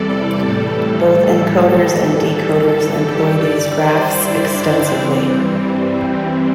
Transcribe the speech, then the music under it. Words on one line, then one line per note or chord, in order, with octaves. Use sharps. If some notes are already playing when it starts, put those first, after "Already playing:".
Both encoders and decoders employ these graphs extensively.
Already playing: E2 C3 E3 G3 A4 D5
A2 E3 G3
G2 E3 G3
A4
G4
G2 G3 D5
C5
E4
D4
G2 E3 G3 C4